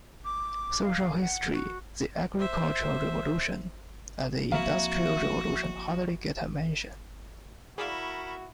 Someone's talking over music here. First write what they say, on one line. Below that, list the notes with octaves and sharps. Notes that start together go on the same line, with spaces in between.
Social history, the agricultural revolution, and the industrial revolution hardly get a mention.
D6
F5
F#5
F#4
C5 E5
F3 A#3 C4 E4 F#4 A#4 E5 F5
E4 F#4 G#4 A#4 D5 F5 B5 C#6